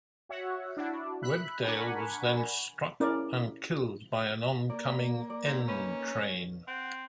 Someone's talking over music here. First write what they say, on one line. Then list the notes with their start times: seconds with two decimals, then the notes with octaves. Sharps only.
Webdale was then struck and killed by an oncoming N train.
0.29 F#4 C#5 E5 F#5
0.77 D4 E4 F#4
1.22 E5 B5 F#6
1.63 D4 A#4 F#5 G#5 B5 C#6
3.00 C#4 E4 A#4 D5
4.70 A#3 D5
5.30 D5
5.45 G#2
5.68 C#4 D#4 B4
6.68 C4 F#5